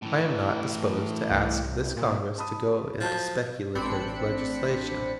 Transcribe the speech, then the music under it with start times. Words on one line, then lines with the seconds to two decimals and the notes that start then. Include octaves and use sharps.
I am not disposed to ask this Congress to go into speculative legislation.
0.02 A2 E3
1.30 C2
1.96 A#2
2.38 A5 B5 D#6
3.01 F3 F#3 A5 G6
3.75 A1 C4 D4 B5 C#7